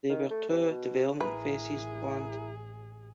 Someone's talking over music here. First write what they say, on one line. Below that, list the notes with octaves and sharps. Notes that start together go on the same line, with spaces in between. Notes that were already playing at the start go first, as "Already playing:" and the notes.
There were two development phases planned.
D#3
A3
C3
B2
A1 E4 G#4 A#4 B4